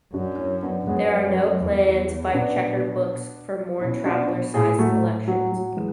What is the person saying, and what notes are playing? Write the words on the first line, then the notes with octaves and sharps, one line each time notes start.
There are no plans by Checker Books for more traveler-sized collections.
F#2 D4 F#4
C#4 E4
B3 D4
F#2 G#3 B3
E2
B2 B3 D4
B2 C#4 E4
D4 F#4
A2 E4 G#4
F#3 A3
F#3
F#3
E3 G#3